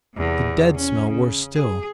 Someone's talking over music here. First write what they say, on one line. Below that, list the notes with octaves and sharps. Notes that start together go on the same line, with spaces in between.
The dead smell worse still!
E2 C3
C#4
C#3
G#4